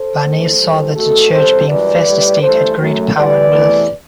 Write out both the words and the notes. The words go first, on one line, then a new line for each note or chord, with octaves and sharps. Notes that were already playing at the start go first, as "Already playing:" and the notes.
Barnave saw that the Church, being first estate, had great power and wealth.
Already playing: A4 C5
E2 D3 A3
A2 E3 G3
B2 A3 F#4 A4
E2 C3 G3 A4 C5
F#2 E3 G3 B4 D5
A2 G3
G2 E3 A3 A4 C5
F#2 F#3 A3
A2 E3 G3 B4 D5
E2 C3 E3 A3